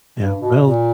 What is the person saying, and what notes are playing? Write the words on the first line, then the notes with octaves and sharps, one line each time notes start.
Yeah, well
G2
B2
A#2